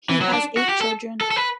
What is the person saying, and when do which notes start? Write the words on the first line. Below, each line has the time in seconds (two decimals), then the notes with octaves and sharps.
He has eight children.
0.09 E3
0.21 F#3
0.33 D4
0.57 F#4
0.69 G4
0.81 A4
1.21 A4
1.31 A4
1.36 B4